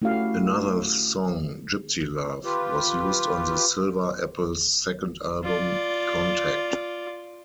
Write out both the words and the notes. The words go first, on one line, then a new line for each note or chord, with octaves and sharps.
Another song, "Gypsy Love", was used on the Silver Apples' second album, "Contact".
A3 C#4 E4 F#4 G4 F5
F4 G4 B4
F4 D5